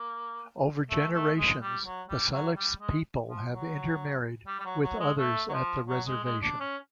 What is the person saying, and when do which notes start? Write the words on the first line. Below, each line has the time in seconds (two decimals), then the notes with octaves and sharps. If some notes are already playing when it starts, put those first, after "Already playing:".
Over generations the Siletz people have intermarried with others at the reservation.
Already playing: A#3
0.90 A3
1.14 A3
1.38 G#3
1.62 G3
1.86 F#3
2.09 G3
2.33 F#3
2.56 G3
2.80 G#3
3.28 F3
3.51 F#3
4.47 G3
4.60 G3
4.65 F#3
4.82 F#3
5.00 G#3
5.18 A3
5.49 F#3
5.53 F3
5.89 F#3
6.07 G#3
6.24 G#3
6.43 D4
6.60 C#4